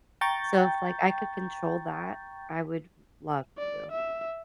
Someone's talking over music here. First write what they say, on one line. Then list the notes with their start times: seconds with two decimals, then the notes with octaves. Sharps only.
So, if like I could control that, I would love to.
0.21 G5 A#5 C#6 G6 A6
3.58 D5
3.92 E5